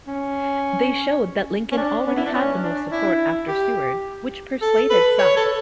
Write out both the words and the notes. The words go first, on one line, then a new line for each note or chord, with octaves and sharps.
They showed that Lincoln already had the most support after Seward, which persuaded some.
C#4
C#4
D4
B3
E4
D4
C#4
D4
E4
G4
A4
B4
C#5
A4